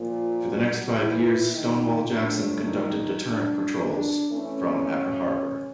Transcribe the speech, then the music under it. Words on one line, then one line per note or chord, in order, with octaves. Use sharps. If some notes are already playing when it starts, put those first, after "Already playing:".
For the next five years "Stonewall Jackson" conducted deterrent patrols from Apra Harbor.
Already playing: A#2 F3 A#3 F4
F#3 F#4
E3 E4
D#3 D#4
A2 F3 A3 D4
D#3 D#4
D4
D4
E3 A3 C4 C#4